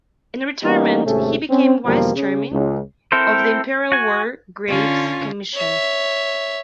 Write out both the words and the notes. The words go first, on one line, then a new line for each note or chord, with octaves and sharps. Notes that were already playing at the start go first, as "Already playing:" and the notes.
In retirement he became Vice Chairman of the Imperial War Graves Commission.
E3 G3 A#3 B3 C#4 D#4
G#1 C3 A3 C#4 G#4 A4
C4 C#4
E2 B2 D3 F3 G3 A#3
C#3
C#2
C4 E4 A4 A#4 C5
F#4 G#5
D3 C#4 F4
C#5 E5